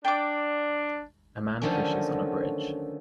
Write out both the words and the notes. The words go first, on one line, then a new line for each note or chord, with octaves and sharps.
A man fishes on a bridge.
D4 G5 D6
D3 D#3 F3 F#3 A3 C#4